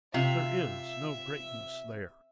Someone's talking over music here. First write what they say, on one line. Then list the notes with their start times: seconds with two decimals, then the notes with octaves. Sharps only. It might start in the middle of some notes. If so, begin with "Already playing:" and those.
There is no greatness there.
0.14 C3 F4 E5